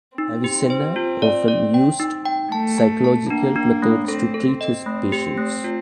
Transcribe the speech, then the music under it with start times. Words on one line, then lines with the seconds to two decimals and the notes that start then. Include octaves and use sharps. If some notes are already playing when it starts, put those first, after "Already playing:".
Avicenna often used psychological methods to treat his patients.
0.18 C4 D#4
0.44 G4
0.70 C5
0.96 F4
1.22 D5
1.48 D5
1.74 G5
2.00 D#4
2.26 G5
2.52 A3 A5
2.78 A5
3.04 A5
3.30 A#3 D4
3.56 D4
3.82 A3
4.08 C4 A4
4.34 A4
4.47 C4
4.61 D#5
4.86 A3
5.12 G4
5.37 A3
5.64 F4